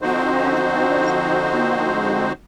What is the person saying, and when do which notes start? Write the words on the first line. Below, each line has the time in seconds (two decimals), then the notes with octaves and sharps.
And there was another one
0.02 D3 F3 C4 D#4 F#4 C5